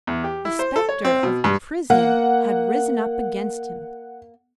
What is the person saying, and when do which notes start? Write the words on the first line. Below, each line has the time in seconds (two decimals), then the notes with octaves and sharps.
The spectre of the prison had risen up against him.
0.07 E2
0.24 G4
0.45 E4
0.59 C5
0.76 A4
0.89 C#5
1.05 C4
1.23 B2
1.44 G2
1.90 A#3 F#5